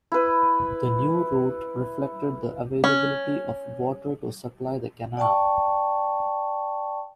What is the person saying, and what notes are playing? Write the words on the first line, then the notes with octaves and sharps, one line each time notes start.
The new route reflected the availability of water to supply the canal.
E4 B4
C#4
D5 G5 A5 C#6